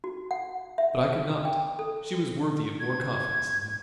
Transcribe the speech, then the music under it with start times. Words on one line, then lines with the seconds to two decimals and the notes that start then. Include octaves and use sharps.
But I could not; she was worthy of more confidence than that.
0.04 F#4
0.31 F#5
0.78 E5
1.45 G5
1.79 A4
2.80 G#6